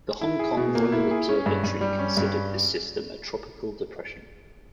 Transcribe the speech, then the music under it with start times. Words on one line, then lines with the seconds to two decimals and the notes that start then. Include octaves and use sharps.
The Hong Kong Royal Observatory considered this system a tropical depression.
0.21 E4
0.39 G#4
0.57 B2
0.75 A#3
0.92 E4
1.11 G#4
1.29 C#4
1.46 G2
1.64 G2
1.81 G3
1.99 C#4
2.17 G2